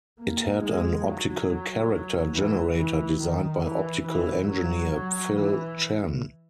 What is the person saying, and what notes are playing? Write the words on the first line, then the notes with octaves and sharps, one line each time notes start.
It had an optical character generator designed by optical engineer Phil Chen.
A#3
G#3
F#3
E3
E3
D#3
E3
E3
F#3
F#3
E3